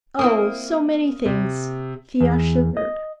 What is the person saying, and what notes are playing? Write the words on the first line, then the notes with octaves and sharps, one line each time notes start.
"Oh--so many things!" Thea shivered.
A#3 C4 E4 D#6
C3
E2
D#5